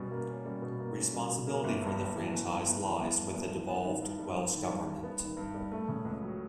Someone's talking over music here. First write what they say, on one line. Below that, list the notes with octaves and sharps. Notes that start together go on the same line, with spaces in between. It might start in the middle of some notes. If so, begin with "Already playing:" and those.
Responsibility for the franchise lies with the devolved Welsh Government.
Already playing: B2 G3 C#4
A#3
C#4
G3
B2
A#3
C#4
G3
B2
A#3
G1
G2
G1
E3
G1
G2
G1
E3
G1
G2
G1
E3
B3
D#3
G2
G3
B3
D#3
G2
G3
B3
D#3
G2
G3
A3
C#3
C#2
F#3